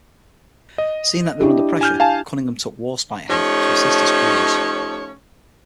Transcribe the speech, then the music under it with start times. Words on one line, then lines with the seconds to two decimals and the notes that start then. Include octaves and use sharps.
Seeing that they were under pressure, Cunningham took "Warspite" ahead to assist his cruisers.
0.78 D#5
1.41 D4 E4 G4
1.81 G#5 F6 G6
2.00 F5 G#5 A5
3.30 F3 A3 C#4 D#4 G4 C#5